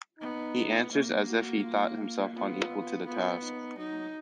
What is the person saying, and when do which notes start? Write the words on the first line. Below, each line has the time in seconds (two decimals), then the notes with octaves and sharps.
He answers as if he thought himself unequal to the task.
0.20 B3 D#4
0.92 A#3
1.27 F#4
1.63 F4
1.98 F4
2.34 B3 F4
3.06 B3 F4
3.42 D#4
3.77 F#3 D#4